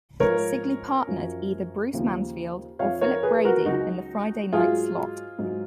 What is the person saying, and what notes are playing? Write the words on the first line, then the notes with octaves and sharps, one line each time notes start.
Sigley partnered either Bruce Mansfield or Philip Brady in the Friday night slot.
G#2 F3 A#4 C#5
F#2 F3
D#2 C#3 F3
F2 F3 C#5 F5
A#4 C#5
G#4 B4
F#4 A#4
C#2 C#3 F#3 D#4 F#4
G#2 F#3 F4 G#4
G#2 F#3